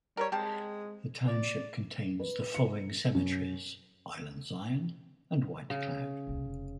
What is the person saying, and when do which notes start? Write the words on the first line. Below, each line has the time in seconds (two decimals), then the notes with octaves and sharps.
The township contains the following cemeteries: Island Zion and White Cloud.
0.17 G3 A#4 B4 C#5
0.32 G#3 C4 G4 A5
1.28 D5
2.20 B4
2.55 C#7
3.15 F#2
5.70 C#3
6.27 D#1 C2
6.45 F1